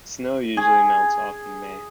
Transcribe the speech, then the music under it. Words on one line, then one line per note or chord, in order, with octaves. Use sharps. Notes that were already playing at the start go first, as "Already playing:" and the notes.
Snow usually melts off in May.
G#4